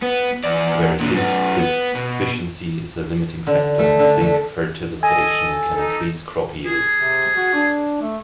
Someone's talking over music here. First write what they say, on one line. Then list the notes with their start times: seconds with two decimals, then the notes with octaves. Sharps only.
Where zinc deficiency is a limiting factor, zinc fertilization can increase crop yields.
0.02 B3
0.44 E2 D5
1.00 A#2 D3
1.15 F#2 B3
1.59 B3
1.95 B2
3.47 D3
3.79 A3
3.99 D3
4.21 A3
5.03 A4 D#5 G#5
5.76 D#4 A4
6.66 G#4
6.98 C3
7.35 F#4
7.53 D4
8.02 A3